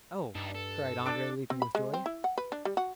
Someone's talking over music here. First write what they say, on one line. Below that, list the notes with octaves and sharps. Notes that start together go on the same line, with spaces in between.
"Oh," cried Andrea, leaping with joy.
G2 D#4 A4
A4
D4 D6
C4
B5
G#3
C4
E4
F#5
B4
D4
G3
F#4